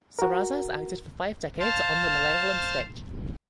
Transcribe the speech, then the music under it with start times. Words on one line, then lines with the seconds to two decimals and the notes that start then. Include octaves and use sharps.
Sarasa has acted for five decades on the Malayalam stage.
0.19 F#4 A#4
1.60 C5 F5 A5